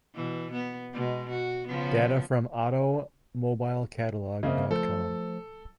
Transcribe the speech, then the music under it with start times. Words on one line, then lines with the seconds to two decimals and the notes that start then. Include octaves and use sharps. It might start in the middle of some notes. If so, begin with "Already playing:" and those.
Data from automobile-catalog dot com.
0.15 B2 E3
0.53 B3
0.93 B2 G#3
1.30 F#4
1.68 C#3 F3 B3
4.43 C#3 A#3 C4 D#5 E5
4.71 F3 A3 A4 C5